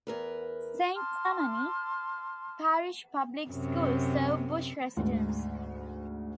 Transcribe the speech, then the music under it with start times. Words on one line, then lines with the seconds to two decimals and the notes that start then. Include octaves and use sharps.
Saint Tammany Parish Public Schools serves Bush residents.
0.07 E2 A#4 B4
0.95 A5 C6 D6 F6
3.51 F#2 C3
4.97 D2 G#2